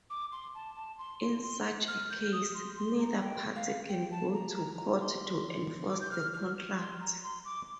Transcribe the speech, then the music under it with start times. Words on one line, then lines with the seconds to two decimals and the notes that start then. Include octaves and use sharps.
In such a case, neither party can go to court to enforce the contract.
0.10 D6
0.32 C6
0.55 A5
0.76 A5
0.99 C6
1.21 C6
1.43 C6
1.88 F6
2.10 G6
2.32 D#6
2.54 C6
2.77 C6
2.99 A#5
3.21 G5
3.56 F5
3.89 G5
4.11 A5
4.33 A#5
4.56 A#5
4.77 A#5
4.99 C6
5.88 D6
6.01 G6
6.11 F6
6.34 F6
6.78 C6
7.01 A#5
7.23 C6
7.45 D6